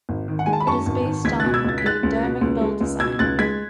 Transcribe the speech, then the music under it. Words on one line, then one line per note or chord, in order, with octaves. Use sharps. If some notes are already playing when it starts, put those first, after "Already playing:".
It is based on a diving bell design.
G#1
D#3
F#5
G#3 G#5
A5
B5
F#2 A5 C#6
G#1
D#3
C#2 G#6 B6
B2 F#6 A6
E6 G#6
C#2 A6
B6
G#3 F#6 A6
C#2
B2
C#2
G#3
C#2
B2 E6 G#6
C#2 F#6 A6
G#3 G#6 B6